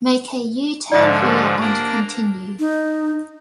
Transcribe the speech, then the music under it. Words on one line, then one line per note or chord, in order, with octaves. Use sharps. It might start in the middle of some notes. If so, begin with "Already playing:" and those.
Make a U-turn here and continue.
G#2 D3 F3 D5 E5
G4 B4
A#3 D4 A#5
D#4